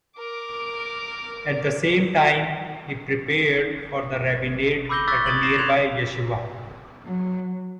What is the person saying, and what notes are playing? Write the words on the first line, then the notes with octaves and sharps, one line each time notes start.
At the same time, he prepared for the rabbinate at a nearby yeshiva.
A#4 D6
B5 D6 E6 G6 A#6 G7
C#6 D6 E6 F#6 A6 B6
D#6 G#6 A6 F#7
A#6 C7 E7
C6 F#6 G#6 F7
F#3